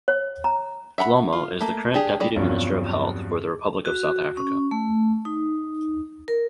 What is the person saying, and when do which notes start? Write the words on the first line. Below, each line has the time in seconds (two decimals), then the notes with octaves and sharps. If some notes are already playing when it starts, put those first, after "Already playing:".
Dhlomo is the current Deputy Minister of Health for the Republic of South Africa.
0.08 C#5
0.44 A#5
0.98 E5 F#5 A#5 B5
1.33 F4
1.61 A3 A#3
1.94 D4 G4 G#4
2.20 G3 G#3 D5
2.36 E2 G2 C3 F3 F#3 C#4
3.86 F#4
4.37 C#4
4.71 A3
5.25 D#4
6.28 A#4